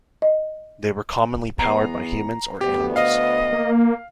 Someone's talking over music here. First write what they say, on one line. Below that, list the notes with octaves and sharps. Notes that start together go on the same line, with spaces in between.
They were commonly powered by humans or animals.
D#5
E2 B3 A#5 C7
D2 B3 G4
D#5 F5
A#3